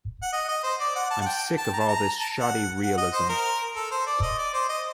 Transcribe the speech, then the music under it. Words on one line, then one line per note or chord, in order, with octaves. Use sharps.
I'm sick of all this shoddy realism.
F#5
D#5
D#5
C5
D5
F#5
A5
F#5
G5
A5
A#5
A5
A#5
A5
F#5
F#5
D#5
C5
A#4
A4
C5
D5
D#5
D5
C5
D#5